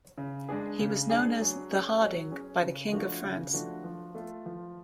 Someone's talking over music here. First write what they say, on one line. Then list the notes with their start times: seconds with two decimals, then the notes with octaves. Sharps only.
He was known as "the Harding" by the king of France.
0.18 C#3
0.49 G#3 D4 G#4
0.79 C#3
1.09 G#3 D4 G#4
1.41 F#3
1.71 C#4 G#4
2.01 F#3
2.31 C#4 G#4
2.62 C#3
2.93 F3 A3 D4 F#4
3.23 C#3
3.53 F3 A3 D4 F#4
3.84 F3
4.15 A3 F4 A4
4.46 F3